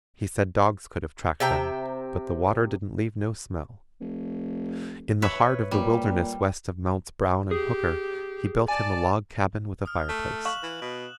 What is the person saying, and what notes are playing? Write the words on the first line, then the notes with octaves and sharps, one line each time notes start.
He said dogs could have tracked them, but 'the water didn't leave no smell.' In the heart of the wilderness west of Mounts Brown and Hooker he built him a log cabin with a fireplace.
C3 E5 G5 A#5
F1
B4 C#5 E5
A#2 G3
G4 G#4
D5 G#5 A5
D#6 F6
A3
F5 C#6 F#6 E7 F#7
E3
B2